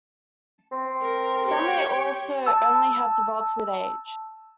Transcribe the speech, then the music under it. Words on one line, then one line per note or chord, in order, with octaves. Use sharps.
Some may also only have developed with age.
C4
A#4
G4 C#5 G5
A5 E6